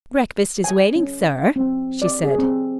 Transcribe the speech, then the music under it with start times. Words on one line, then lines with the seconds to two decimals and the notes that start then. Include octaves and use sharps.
"Breakfast is waiting, sir," she said.
0.64 G#5
0.96 C#4
1.56 C4
2.02 D5
2.24 G#4
2.38 C4